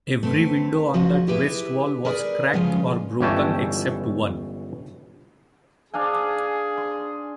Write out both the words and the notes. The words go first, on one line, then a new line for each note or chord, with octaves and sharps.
Every window on that west wall was cracked or broken except one.
A3 C4 B4
D#2 F3 F#4 D#5 E5 G#5
E4 G4 G#4 B4 C#5 E5
G#4 A#4 B4 D5 F#5 G#5
C#3 E3 F3 G#3 C#4
G1 C#2 E3 C#4 G5 A5
D4 G#4 F5 G#5
C6